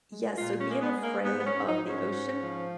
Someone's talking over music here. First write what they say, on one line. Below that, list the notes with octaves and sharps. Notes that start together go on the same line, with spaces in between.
Yes, so being afraid of the ocean,
G#3
A#2 F4
C#4
G#3 A#3
B3
G#3
A#3
G#2 B3
B3
C#4
G#2
D#4
G#2
C#4
G#2
F3